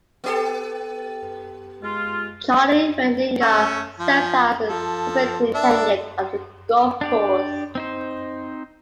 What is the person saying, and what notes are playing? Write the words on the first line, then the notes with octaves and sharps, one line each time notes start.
Charlie Reidlinger serves as the Superintendent of the golf course.
B3 G4 A4
G#3 F4
A3 C#4 E6
F3
F3 A4
D4 E5 A5
D4 G4 D5
C4 D#4 C5